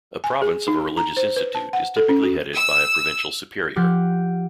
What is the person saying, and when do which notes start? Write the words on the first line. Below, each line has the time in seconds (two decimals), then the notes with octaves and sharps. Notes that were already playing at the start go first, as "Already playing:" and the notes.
A province of a religious institute is typically headed by a provincial superior.
0.24 G#5
0.42 G#4
0.68 D#4
0.97 A#5
1.17 C5
1.36 B4
1.55 A5
1.73 F#5
1.96 A4
2.09 C#4
2.23 F#4
2.55 E6
3.76 F3 G4 F#5 F6